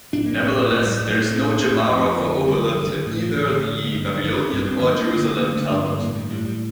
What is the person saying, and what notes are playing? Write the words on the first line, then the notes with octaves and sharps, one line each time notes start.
Nevertheless, there is no Gemara for Oholot in either the Babylonian or Jerusalem Talmud.
A2 D4
A#3
C4
A2 A3
A#3
A2 A3
G3
A2 A3
A#3
A2 C4
A#3
A2
A3
F2
D3
D3 G3
F3
G2
D#3
A2
F3
A2 D3
D3
D3
A#3
G2 A3
G3
F3
G2 D#3
G2 D4
C4
D3 A#3
A#3
G2
A#3
D3 A3
A3
G2 D4
A#3
A2 A#3
D#3
A2 G3
G3